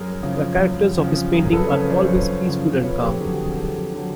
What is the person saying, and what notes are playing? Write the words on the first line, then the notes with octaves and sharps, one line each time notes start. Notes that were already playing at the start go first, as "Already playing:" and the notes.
The characters of his paintings are always peaceful and calm.
Already playing: F#2 G#4 A#4
C#3 F3
F#2
C#3 F3
F#2 G#4 A#4
A4 B4
C#3 F3 B4 C#5
C5 D5
F#2 B4 C#5
C#3 F3
F2 B4 C#5
G4 A4
D3 F#3 G#4
G4
G#4
F2 G4 A4
D3 F#3